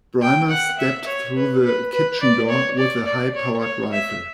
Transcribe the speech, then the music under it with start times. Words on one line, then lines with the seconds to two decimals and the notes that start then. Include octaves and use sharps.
Brymer stepped through the kitchen door with a high-powered rifle.
0.22 G5
0.50 F#5
0.79 E5
1.06 C#5
1.35 B4
1.64 B4
1.92 B4
2.20 D5
2.49 C#5
2.78 D5
3.06 D5
3.35 C#5
3.63 C#5
3.92 E5